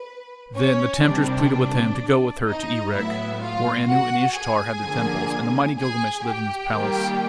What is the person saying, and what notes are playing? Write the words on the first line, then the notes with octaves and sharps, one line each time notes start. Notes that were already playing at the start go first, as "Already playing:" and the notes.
Then the temptress pleaded with him to go with her to Erech, where Anu and Ishtar had their temples, and the mighty Gilgamesh lived in his palace.
Already playing: B4
C#4 C#5
C3 D#3 G3 D4 D5
D#4 D#5
A2 F#3 B3 E4 E5
F4 F5
F#4 F#5
G#4 G#5
D3 F3 A#3
G#4 G#5
G4 G5
D#3 G3 A#3